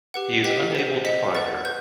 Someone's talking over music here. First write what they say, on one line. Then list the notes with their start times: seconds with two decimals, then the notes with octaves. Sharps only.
He is unable to find her.
0.14 G4 B4 F#5
0.44 G4 B4 D#5 G5 B6
0.75 C5 F#5
1.05 C5 D#5 F#5 B6
1.35 B4 F#5 A6
1.65 B4 G6